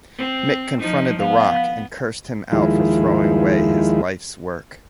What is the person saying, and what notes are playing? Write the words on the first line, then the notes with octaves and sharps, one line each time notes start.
Mick confronted The Rock and cursed him out for throwing away his life's work.
C4
F3 D#4
B3 F5
D#2 F3 G#3 E4